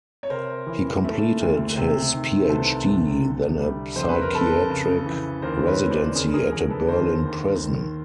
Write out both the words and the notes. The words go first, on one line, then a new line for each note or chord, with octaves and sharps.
He completed his PhD, then a psychiatric residency at a Berlin prison.
C#5
C3 A#4 C5
E3
A3
D2
C3
D#3
C5
C2 A4 B4
C2
D3
G3
F2 C5
B4
A#4
F2 A4 B4
C#3
E3
D#2 A#4 C5
B4 C#5
D#2
C5 D5
D3 G#4 A#4
G#4 A#4
F3 G#4 A#4
A4 B4
D#2 A#4 C5
D#2
D#3